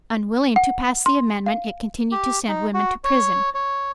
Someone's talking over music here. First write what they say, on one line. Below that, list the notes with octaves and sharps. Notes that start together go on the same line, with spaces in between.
Unwilling to pass the amendment, it continued to send women to prison.
F#5
C6
F5
G4
D#4
F#4
C#5
C#5